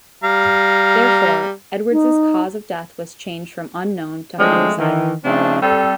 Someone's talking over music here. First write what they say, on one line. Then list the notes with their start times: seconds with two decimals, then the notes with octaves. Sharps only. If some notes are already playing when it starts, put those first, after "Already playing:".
Therefore, Edwards' cause of death was changed from unknown to homicide.
0.24 G3 F5 A#5
1.91 D#4
4.39 F3 F#3 G#3 A3 C4 D4
4.78 D#3 E3
5.24 C#3 F3 A3 C4 D4 D#4
5.62 G3 C4 A4